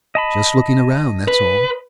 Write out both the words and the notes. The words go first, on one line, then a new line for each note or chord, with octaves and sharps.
"Just looking around, that's all."
D#5 A5 B5
B4